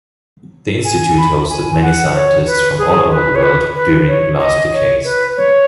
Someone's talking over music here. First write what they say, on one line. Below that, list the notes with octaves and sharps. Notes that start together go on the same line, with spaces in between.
The institute hosted many scientists from all over the world during last decades.
G#5
B5
G#5
F#5
C#5
B4
G#4
B4
C#5
B4
B4
C#5
D#5
C#5
B4
C#5